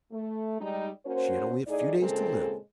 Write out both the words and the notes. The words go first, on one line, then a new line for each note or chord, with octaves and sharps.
She had only a few days to live.
A3
G3 G#3 D#4
A#3 C#4 F#4 A#4 C5
A2 D#4 G#4 D5
A#2 C#3 G#3 C4 A4